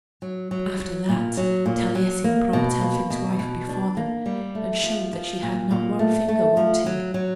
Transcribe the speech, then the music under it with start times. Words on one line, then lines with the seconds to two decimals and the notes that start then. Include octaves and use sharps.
After that Taliesin brought Elphin's wife before them, and showed that she had not one finger wanting.
0.22 F#3
0.51 F#3
0.79 F#3
1.09 A#2
1.37 F#3
1.66 A#2
1.95 F#3
2.24 A#3
2.53 B2
2.81 A#3
3.10 B2
3.39 B2
3.69 D4
3.97 A#3
4.26 G3
4.55 A3
4.83 F3
5.13 F3
5.42 A#2
5.71 A#2
5.99 A3
6.28 A3
6.57 F3
6.86 F#3
7.14 F#3